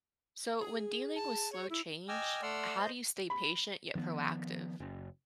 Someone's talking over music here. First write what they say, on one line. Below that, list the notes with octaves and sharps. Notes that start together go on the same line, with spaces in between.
So, when dealing with slow change, how do you stay patient yet proactive?
G#4
A5
C#5
E4
D#5 G5 G#5 D6 E6 F6
A3 D5 F#5 C6 E6 F6
C5 D#5 G6
B5
D#3 F3 G3 B3
F#1